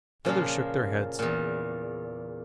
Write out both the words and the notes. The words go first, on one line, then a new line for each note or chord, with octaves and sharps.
The others shook their heads.
A#2 C#3 F3 A#3
E2 A#2